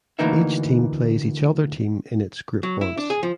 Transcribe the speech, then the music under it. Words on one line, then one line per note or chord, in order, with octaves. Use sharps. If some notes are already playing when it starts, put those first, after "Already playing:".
Each team plays each other team in its group once.
D2 A#2 E3 A#3 D#4 E5
F#3
E4
D4
G#4
F3